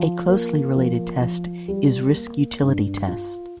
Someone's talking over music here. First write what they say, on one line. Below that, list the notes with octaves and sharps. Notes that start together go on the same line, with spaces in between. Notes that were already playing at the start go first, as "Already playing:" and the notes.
A closely related test is risk-utility test.
Already playing: F3
A#3
F3
F3
G3
A#3
G2
F4